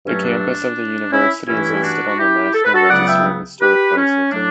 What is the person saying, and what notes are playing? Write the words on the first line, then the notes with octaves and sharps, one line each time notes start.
The campus of the university is listed on the National Register of Historic Places.
G2 F#3 A3 C#4
D4
C#4 E4
G2 E3 A3 C#4 E4
A4
G4
D4 F#4
F#4
E4 G4
A4
B4
F#4 A4
C#2 C#3 F#3 B3 D5 F#5
E5 G5
G4 B4
C#4
A2 F#3 A3 D4